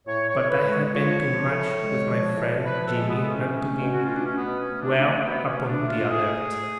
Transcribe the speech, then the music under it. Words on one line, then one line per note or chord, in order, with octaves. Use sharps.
But I had been too much with my friend Jimmy not to be well upon the alert.
A2 C#5
C#5
A2
B4
G#3
C#5
F3 C#5
F3
A2
G#3
F3
A2
F3 B4
A4
G#3
B3
A2
C#4
A3
B2
F#4
A3 F4
D4
C#4
B2 B3
C#4
A3
D4
A3 D4
C#4
B2 B3
C#4
A3
D4
A3
F4
A3 G#4
A3